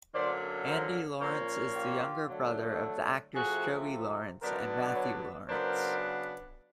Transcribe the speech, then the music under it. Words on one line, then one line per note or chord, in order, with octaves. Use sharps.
Andy Lawrence is the younger brother of the actors Joey Lawrence and Matthew Lawrence.
F#2 D3 F#3 A#3 C5 D5
A#4 C5
A#2 F3 A#3 C#4 A#4 C5
F4 G4
D3 F#3 A3
C3 F3 A3 F#4 G#4
D3 F#3 B3 D4 A#4 C5
B4 C#5
C#3 F#3 B3 D4 A#4 C5